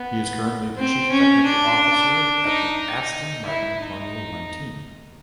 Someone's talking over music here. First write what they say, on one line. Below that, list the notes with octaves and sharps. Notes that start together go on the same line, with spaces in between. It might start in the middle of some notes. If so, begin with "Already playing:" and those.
He is currently the chief technical officer at the Aston Martin Formula One team.
Already playing: B3
C4
C#4
D4
D#4
D#4
E4
D#4